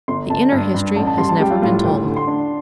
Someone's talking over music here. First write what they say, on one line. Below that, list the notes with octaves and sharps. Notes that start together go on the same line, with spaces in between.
The inner history has never been told.
G1 C6
G1 A5
G2
G2
A1 A5
A5
G3 C6
A5
G3 G5
F4
A2 F4
F4
D2 G5
D3
C6
D4